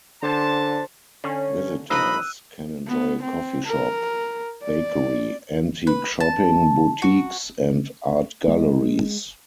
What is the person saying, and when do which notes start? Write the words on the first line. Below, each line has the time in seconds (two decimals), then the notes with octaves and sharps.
Visitors can enjoy a coffee shop, bakery, antique shopping, boutiques, and art galleries.
0.23 F#2 D3 C5 D5 A5
1.24 D3 C#4
1.90 G2 F3 D#4 D#5 B5 E6 F#6 D#7
2.87 B3
3.22 C4
3.65 A#4
4.63 D5
5.87 B4
6.20 A5
7.02 F#4
8.48 G#3